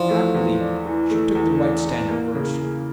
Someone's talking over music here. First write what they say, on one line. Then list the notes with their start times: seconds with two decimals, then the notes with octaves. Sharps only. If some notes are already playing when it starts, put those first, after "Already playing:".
Happily, she took the right stand at first.
Already playing: E2 E3 F3 D4
0.10 A3
0.35 E2
0.60 D4
0.85 E3
1.11 A3
1.35 E2
1.61 D4
1.85 E3
2.10 A#3
2.35 C#3
2.59 C#3